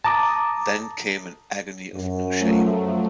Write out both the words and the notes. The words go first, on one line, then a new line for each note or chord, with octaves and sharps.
Then came an agony of new shame.
A5 A#5 D6 D#6
F#2
F3 F#3 A3